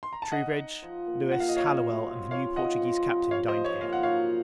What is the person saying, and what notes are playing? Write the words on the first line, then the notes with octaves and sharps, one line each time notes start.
Troubridge, Louis, Hallowell, and the new Portuguese Captain, dined here.
C6
A#5
A5
D#4 D#5 F#5
D#4
F3
A#2
C3 F#5
F5
D#5
F#3 C#5 F5
F4
C4
F3 C#5 F5
F4 D#5 F#5
C4
C3
F3 C#5 F5
C5 D#5
F3
C#5
A#2 F5
F#5
F#3 C#5 F5